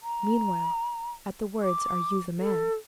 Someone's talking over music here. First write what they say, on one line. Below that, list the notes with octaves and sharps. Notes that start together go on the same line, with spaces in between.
Meanwhile, at the words, Are you the man?
A#5
D6
A4